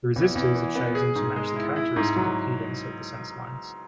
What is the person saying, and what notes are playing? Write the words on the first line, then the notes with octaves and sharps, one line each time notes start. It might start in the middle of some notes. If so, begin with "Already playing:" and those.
The resistors are chosen to match the characteristic impedance of the sense lines.
E2
E2
E3
B3
G#4
G#2
G#3
E4
E4
G#2
F#3